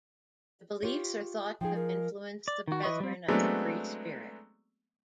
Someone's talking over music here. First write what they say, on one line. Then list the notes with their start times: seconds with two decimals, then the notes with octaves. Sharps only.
The beliefs are thought to have influenced the Brethren of the Free Spirit.
0.83 F4 G4 C#5
1.61 F3 D#4 G#4 G5
1.76 A#4
2.48 D5
2.68 D#3 F#4
2.83 E3 B4 D#5 C#6
3.00 G3 C4
3.28 F#3 G#3 A3 B3 C4 D4